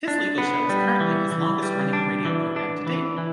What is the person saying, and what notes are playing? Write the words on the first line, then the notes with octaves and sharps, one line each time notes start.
His legal show is currently his longest running radio program to date.
D4
B3
G3
E3
E3
G3
D4
E3
D4
E3
E3